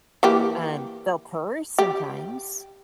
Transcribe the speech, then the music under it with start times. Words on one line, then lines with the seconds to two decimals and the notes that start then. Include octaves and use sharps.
Um, they'll purr sometimes
0.23 E3 A#3 G4
1.78 G4